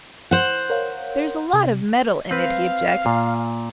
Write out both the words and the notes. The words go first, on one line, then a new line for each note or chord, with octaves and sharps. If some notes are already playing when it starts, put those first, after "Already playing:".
"There's a lot of metal in it," he objects.
C5 F#5
A#4 C#5 F5
C3
C4 B4 F5
A#2